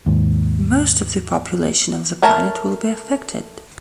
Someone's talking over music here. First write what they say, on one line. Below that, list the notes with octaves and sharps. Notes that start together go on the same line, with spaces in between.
Most of the population of the planet will be affected.
D#2 G#2
A3 A#4 C#5 A5 A#5